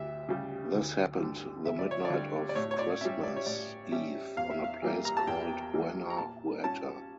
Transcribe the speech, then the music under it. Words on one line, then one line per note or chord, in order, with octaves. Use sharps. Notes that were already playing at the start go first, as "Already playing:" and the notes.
This happened the midnight of Christmas Eve on a place called Buena Huerta.
Already playing: D2 G3 E5
C#3 G3
D2
D3 G3
D2 E5
D5
C#5
D5
D3 G3
D5
A2 C#5
C#5
D5
G3 C#4 E5
D5
C#5
A2 D5
G3 C#4 E5
E2 F5
E5
F5
E3 G3 A#3
A#5
A5
E2 G5
E3 G3 A#3
A#5
A#2 A5
G3 C#4 A5